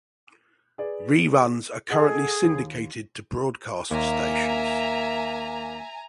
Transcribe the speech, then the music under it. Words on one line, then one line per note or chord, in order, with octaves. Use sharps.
Reruns are currently syndicated to broadcast stations.
G#4 B4 D5
G#4 A4 D#5 F#5
D#2
D#2 A#3 E5 G#5 A#5